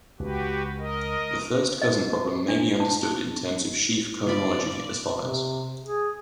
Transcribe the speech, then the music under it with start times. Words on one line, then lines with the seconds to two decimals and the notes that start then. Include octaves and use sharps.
The first Cousin problem may be understood in terms of sheaf cohomology as follows.
0.20 C#2 F#4 G4 B4
0.78 A#4 D#5
1.82 D#5
2.48 D4
2.80 A5
4.27 F4 D5 B5
5.16 C3
5.84 G#4